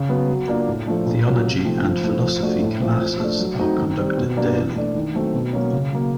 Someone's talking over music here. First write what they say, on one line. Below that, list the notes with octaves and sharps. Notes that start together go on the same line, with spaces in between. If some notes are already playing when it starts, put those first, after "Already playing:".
Theology and philosophy classes are conducted daily.
Already playing: C#3
F#3 B3
F#3
A#3 D4 F4
A2
F3 A3 D4
A#2
F#3 A#3 C#4 F4
C3
F3 A3 C4 D#4
F3
A3 C4 E4
F3
A3 D4 F#4
A2
F3 A3 C4
F3
A3 D4
F#3
A3 C4 D#4 F#4
D#3
G3 C4
B2
F#3 A#3 D4
E3
A3 D4
D#3
F#3 A3 C4
B2
F#3 A#3 C#4
C#3
F#3 A#3